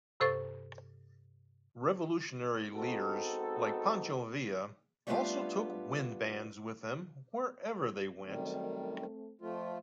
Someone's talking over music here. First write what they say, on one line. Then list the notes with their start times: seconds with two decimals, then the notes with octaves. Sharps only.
Revolutionary leaders like Pancho Villa, also took wind bands with them wherever they went.
0.20 G2 C3 A4 C5 C#6 A6
2.72 G#3 B3 C4 D#4 F#4 A4
5.07 G3 A3 B3 D4 F4 F5
8.26 F#2 D#3 G3 A3 C4
9.41 F2 F3 A3 F4